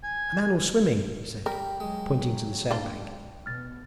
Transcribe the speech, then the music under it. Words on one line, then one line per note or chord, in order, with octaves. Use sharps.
'A man was swimming...' he said, pointing to the sandbank.
G#5
G3 A#4 G5
F#3 G#3
A#3 D4 F4
B2 F6 A6